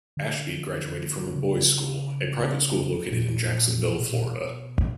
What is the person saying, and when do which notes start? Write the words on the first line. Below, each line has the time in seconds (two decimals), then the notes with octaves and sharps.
Ashby graduated from The Bolles School, a private school located in Jacksonville, Florida.
0.17 D3
1.35 C#3
3.11 A#2
4.00 B2
4.11 A#2
4.24 B2